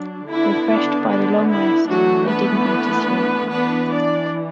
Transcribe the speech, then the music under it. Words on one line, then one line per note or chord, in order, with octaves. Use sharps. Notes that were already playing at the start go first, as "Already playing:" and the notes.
Refreshed by the long rest, they didn’t need to sleep.
Already playing: F#3 D4
D3 B3 D4 E4
D4
D4
E4
E3 F#3 A3 D4 F#4
B3 B4
E3 B3 D4 B4
D4 D5